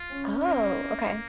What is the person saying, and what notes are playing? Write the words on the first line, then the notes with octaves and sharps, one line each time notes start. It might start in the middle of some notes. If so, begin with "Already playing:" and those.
Oh, okay.
Already playing: F4
C#4
A#3